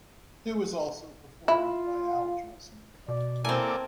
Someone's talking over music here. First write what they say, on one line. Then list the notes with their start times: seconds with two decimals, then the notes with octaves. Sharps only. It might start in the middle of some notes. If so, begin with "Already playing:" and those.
It was also performed by Al Jolson.
1.48 E4 F4
3.08 B2 D5
3.45 A#3 C4 E4 A4 D5 G#5